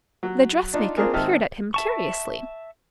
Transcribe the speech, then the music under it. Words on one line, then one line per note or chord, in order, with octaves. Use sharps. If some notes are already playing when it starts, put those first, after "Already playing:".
The dressmaker peered at him curiously.
F#3
D4 D#4 F4
A#3 C4 D4 F4 G#4 A#4
G#1 D#3 C4 E5 A5 F6
E5 A5 C#6